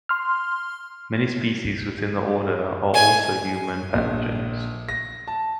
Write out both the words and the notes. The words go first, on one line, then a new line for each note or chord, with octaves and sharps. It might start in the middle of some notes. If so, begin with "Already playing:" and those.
Many species within the order are also human pathogens.
C6 F6
G#5
A#1
A#6
A5